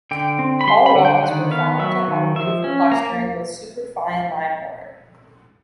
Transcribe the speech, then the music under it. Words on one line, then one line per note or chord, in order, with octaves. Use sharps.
All walls were found to have beautiful plastering with superfine lime mortar.
D3 G5
C4
B5
G3 C6
B5
D3
G5
D#3 F#5
B3 F5
F#3 E5
D#3
F3 E5
C#4
A#3 A#5